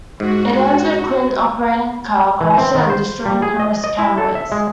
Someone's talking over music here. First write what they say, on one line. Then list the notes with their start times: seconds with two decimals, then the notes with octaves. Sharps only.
It ends with Quint operating a car crusher and destroying numerous cameras.
0.20 G#2 F#4
2.41 E3
2.58 C4
2.75 D#3
2.90 C5
3.26 G3
3.42 G#4
3.60 D#5
3.84 D#5
3.99 E4
4.18 A4
4.35 E5
4.52 G#3